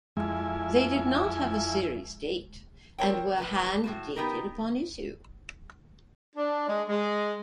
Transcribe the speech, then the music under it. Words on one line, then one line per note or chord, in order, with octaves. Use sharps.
They did not have a series date, and were hand-dated upon issue.
F2 G#3 E4 G#5
C4 A#4 C#5 G5
A2 B4 A5
G4
A2 F#4 A5
B3 D#4 G4 A#4
D4
G#3
G#3